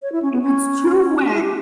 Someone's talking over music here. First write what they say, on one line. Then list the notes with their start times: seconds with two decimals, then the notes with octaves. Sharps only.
if it's too wet,
0.02 C#5
0.12 E4
0.22 C#4
0.32 B3
0.42 C#4
1.24 D4
1.33 E4
1.44 G4